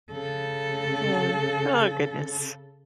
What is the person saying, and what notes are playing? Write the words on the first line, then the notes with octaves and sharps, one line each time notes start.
Yeah. Oh goodness.
C#3 A4